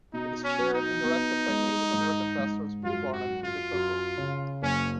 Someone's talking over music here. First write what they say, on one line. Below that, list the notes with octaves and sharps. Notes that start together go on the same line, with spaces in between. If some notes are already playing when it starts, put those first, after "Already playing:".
It is chaired and directed by Native American pastors Bill Barnett and Victor Cope.
B2 D#4
C#4
F#3
D#4
B3
G#3
G#2
G#2
F#2 F4
F#4
F#2
F4
F#2
C#3
F#1 C#4